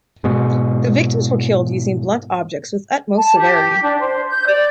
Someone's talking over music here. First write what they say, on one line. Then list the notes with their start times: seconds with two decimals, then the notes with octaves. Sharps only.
The victims were killed using blunt objects with utmost severity.
0.24 G#2 B2
3.17 A5
3.36 G4
3.81 D4
4.00 C5
4.28 G6
4.46 D5